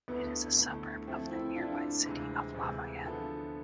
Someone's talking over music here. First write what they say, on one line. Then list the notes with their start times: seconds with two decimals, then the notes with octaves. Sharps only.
It is a suburb of the nearby city of Lafayette.
0.08 D2 D3 A3 B3 E4
0.57 D2 D3 A3 E4
1.07 F3 A3 C4 E4 A4
1.31 C4 E4
1.56 F3 A3 D4 E4 F4 A4
2.06 D2 C3 E3 G#3
2.55 D2 C3 E3 G#3
3.04 D3 F3 B3 E4 A4